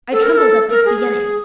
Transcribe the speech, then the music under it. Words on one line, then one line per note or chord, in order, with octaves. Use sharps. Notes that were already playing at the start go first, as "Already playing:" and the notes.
I trembled at this beginning.
A4
A#4
A#4
A4
A#4
G#4